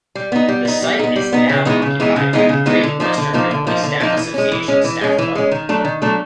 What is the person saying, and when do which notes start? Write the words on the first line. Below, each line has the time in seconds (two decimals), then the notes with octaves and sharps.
The site is now occupied by the Great Western Railway Staff Association staff club.
0.15 G3
0.32 B3 D#4
0.48 G3
0.65 B3 D#4
0.82 G3
0.99 B3 D#4
1.16 G3
1.33 B3 D#4
1.49 C#3
1.65 E3 G#3 B3 D#4
1.82 C#3
2.00 E3 G#3 B3 D#4
2.16 C#3
2.33 E3 G#3 B3 D#4
2.49 C#3
2.66 E3 G#3 B3 D#4
2.83 D3
3.00 F3 A#3 D#4
3.17 D3
3.33 F3 A#3 D#4
3.51 D3
3.67 F3 A#3 D#4
3.83 D3
4.00 F3 A#3 D#4
4.17 E3
4.34 G#3 C#4
4.52 E3
4.68 G#3 C#4
4.84 E3
5.01 G#3 C#4
5.18 E3
5.35 G#3 C#4
5.51 D#3
5.69 F#3 A3 D4
5.85 D#3
6.02 F#3 A3 D4